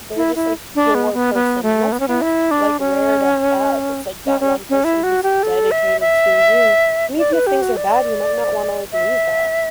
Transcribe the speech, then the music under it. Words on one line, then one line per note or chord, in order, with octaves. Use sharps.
they're just, like, your person, and that's kind of, like, rare to have, it's like that one person who's dedicated to you, and even if things are bad, you might not wanna, like, lose that.
E4
E4
D4
B3
B3
B3
A3
B3
C#4
B3
E4
D4
C#4
C#4
C#4
C#4
E4
F#4
G4
A4
E5
E5
D5
B4
G4
F#4
D5
E5